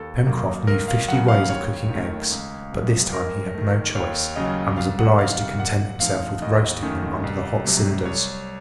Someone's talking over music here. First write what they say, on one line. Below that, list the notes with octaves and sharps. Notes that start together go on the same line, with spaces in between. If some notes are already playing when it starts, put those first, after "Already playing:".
Pencroft knew fifty ways of cooking eggs, but this time he had no choice, and was obliged to content himself with roasting them under the hot cinders.
Already playing: D#2 A4
D#3 F#3 A#3 D#4
C#2 A#4
F5
C#3 F#3 F#5
F5
D#2 C#5
D#3 A3
C#2
C3 F#3 A3
F2 A#4
D#3 A3
D#2 C#5
C#3 F#3 D#5
C2 F5
F#5
C3 D#3 F5
F5
A#2 F#5
F3 A3 C4 D#4 F5
D#2 D#5
D#3 A3 C#4
C2
C3 F#3 A3
C2 C#5